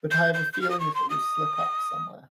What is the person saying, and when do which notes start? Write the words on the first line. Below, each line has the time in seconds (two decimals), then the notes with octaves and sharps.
But I have a feeling that it will slip up somewhere.
0.11 G6
0.34 G6
0.53 G6
0.61 F6
0.70 D#6
0.80 C#6
0.95 C6
1.10 D#6